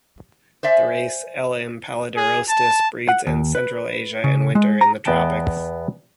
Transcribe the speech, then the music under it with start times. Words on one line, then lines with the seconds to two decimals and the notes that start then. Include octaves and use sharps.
The race "L. m. pallidirostis" breeds in central Asia and winters in the tropics.
0.63 C5 D5 E5 G#5
2.16 G#4
2.49 A5
3.09 F#5
3.27 D#2
3.55 B4
4.24 C#3
4.55 G#3
4.81 A#5
5.05 E2 B3 D#5 G5 A5